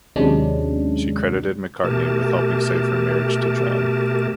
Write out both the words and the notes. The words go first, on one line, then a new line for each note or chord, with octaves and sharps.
She credited McCartney with helping save her marriage to John.
D#2 C3 F#3 G#3 C#4 D4
B2 A3 G4 A#4 A5